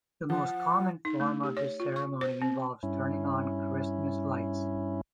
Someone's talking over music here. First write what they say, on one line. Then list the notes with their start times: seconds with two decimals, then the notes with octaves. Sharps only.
The most common form of the ceremony involves turning on Christmas lights.
0.30 F3 F#5
1.05 D#4
1.20 A3
1.43 G4
1.57 C#5
1.80 F4
1.96 C#6
2.21 C5
2.42 C4
2.83 G2 C#4 E4